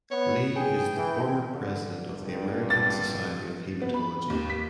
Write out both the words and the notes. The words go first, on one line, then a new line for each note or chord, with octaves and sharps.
Lee is the former President of the American Society of Hematology.
B3 C#5
G#4 G5
E3
D3
G#1 G2
A6
B3
B5
D#2
B6